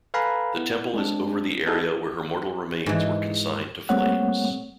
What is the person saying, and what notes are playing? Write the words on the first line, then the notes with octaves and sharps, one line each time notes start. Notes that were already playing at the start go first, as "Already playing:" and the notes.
The temple is over the area where her mortal remains were consigned to flames.
A4 B4 F5 G#5 A#5 B5
B3 E4
G#3 C4 D4
B3 D#4 E4 F#4 G#4 A4
G#2 E3
G3 A3 A#3 C4 C#5 F#5